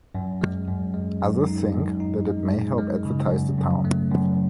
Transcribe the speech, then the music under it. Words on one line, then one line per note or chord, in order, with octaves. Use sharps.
Others think that it may help advertise the town.
F#2
G#3
F#2
G#3
F#2
D#4
F#2
D#4
G#3
G#3
G#3
C#3
F#2
F#2
A3
F#2